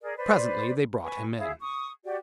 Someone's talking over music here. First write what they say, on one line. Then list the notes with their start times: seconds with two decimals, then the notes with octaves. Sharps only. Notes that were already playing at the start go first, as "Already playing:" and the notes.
Presently they brought him in.
0.01 G#4 A#4 D5
0.17 B4 C5 D5
1.03 B4 G#5 C#6
1.38 E4 G#4 F5
1.60 C#6 D#6
2.04 F#4 G4 D5